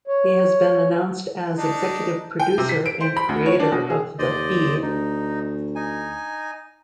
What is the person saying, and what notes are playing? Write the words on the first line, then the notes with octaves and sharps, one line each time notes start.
He has been announced as executive producer and creator of the E!
C#5
D4 D#4
G5
C3
B6
D7
C5
B5
D2
C#5
D4
B2
G#4
D#2 C5 D5 D#5
D2 D#4
D#4 G#5